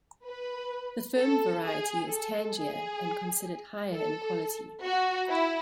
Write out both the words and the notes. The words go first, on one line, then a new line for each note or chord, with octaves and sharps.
The firm variety is tangier and considered higher in quality.
B4
A4
G#4
A4
G#4
A4
F#4
E4